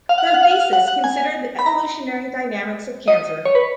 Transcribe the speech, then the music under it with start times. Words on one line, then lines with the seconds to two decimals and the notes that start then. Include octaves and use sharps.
Her thesis considered the evolutionary dynamics of cancer.
0.09 F5
0.18 F#5
0.27 F5
0.34 F#5
0.43 F5
0.51 F#5
0.60 F5
0.73 F#5
0.88 F#5
1.04 G#5
1.59 B5
1.66 A#5
3.08 D#5
3.45 C#5
3.55 B4